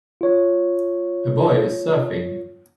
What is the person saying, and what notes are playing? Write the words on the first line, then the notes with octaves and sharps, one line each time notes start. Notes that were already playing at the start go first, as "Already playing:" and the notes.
A boy is surfing.
F4 C#5